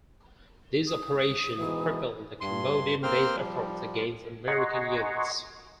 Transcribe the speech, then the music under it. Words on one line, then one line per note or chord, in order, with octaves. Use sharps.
This operation crippled the Cambodian-based efforts against American units.
D#6
G#2 B2 E3
G2 C6
A#3 C4 C5 G5 C6 F6
F3 G3
D#5 F#5 G#5 A#5 C6 C#6